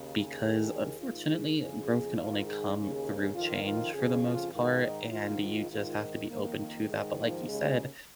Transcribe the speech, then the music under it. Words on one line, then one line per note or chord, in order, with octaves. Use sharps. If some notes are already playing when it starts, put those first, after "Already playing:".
because, unfortunately, growth can only come through change, for the most part, and th you just have to be open to that, but like you said,
Already playing: D#2 C#3
G#4
D#2 D#3
G#2 D#3 F4
G#4
F2 C#3 G#4
G#2 D#3 F4
G#4
D#2 C#3
F2 D#3 F4
F4
F2 C#3 G#4
F4
G#2 D#3 F4
D#4
G#2 D#3 F4
F4
G#2 D#3 F4
D#4
F2 D#3 A#3
A#3
G#2 D#3 G#3
F3
D#2 C#3 G#3